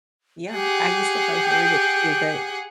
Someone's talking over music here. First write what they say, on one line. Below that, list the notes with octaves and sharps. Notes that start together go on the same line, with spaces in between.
Yeah, I used to play with Rubik too, but
G4 G#4 F#5
G5